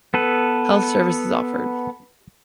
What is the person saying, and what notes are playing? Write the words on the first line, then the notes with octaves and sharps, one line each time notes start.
Health service is offered.
B3 A4 B4